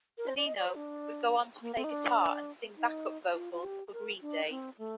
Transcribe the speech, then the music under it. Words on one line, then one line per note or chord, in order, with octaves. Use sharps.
Pelino would go on to play guitar and sing backup vocals for Green Day.
A#4
C5
D5
D#5
D5
C5
D4
A#3
C4
D#4
D4
D#4
F4
F4
G4
A#4
D4
C4
A3